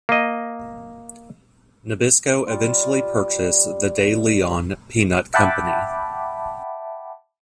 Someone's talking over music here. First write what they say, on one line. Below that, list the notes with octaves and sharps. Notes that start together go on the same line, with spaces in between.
Nabisco eventually purchased the De Leon Peanut Company.
A#3 D#5
G3 F4
E5 F#5 G5 A5 B5 D6